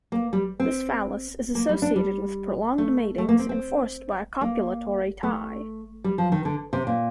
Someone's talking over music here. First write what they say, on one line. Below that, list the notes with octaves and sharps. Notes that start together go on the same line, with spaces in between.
This phallus is associated with prolonged matings enforced by a copulatory tie.
A#3
G3
C4
A#3
G3
D4
G3
A3
A3
A#3
C4
C4
A#3
A3
G3
F3
D#3
D3
C3
A#2